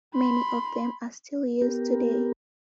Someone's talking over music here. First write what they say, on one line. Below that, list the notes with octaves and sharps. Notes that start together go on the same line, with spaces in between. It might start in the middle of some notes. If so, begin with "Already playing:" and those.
Many of them are still used today.
B5 C6
B3 G4 A#4